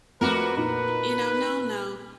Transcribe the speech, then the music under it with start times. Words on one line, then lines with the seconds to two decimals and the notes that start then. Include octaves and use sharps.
you know, "No, no."
0.21 F2 A3 F#4 A#4 B4 D6
0.57 A#2 D#4 B4